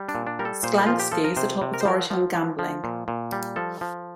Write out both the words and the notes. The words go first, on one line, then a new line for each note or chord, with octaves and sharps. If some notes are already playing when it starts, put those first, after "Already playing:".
Sklansky is a top authority on gambling.
Already playing: G3
D4
A#2
D4
G3 A#4
A4
A#2 C5
F3 F4
G4
F3 A4
A#4
C3 C5
C3
A#4
C5
F3 A#4
F3
F3
F3
A#2
A#2
G3
F3 A4
F3